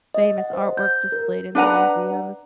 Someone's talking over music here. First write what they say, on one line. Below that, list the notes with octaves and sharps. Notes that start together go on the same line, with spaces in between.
famous artwork displayed in the museums.
D#5
F#5
C5
G6
A#4
D4 B4 F#5 A#5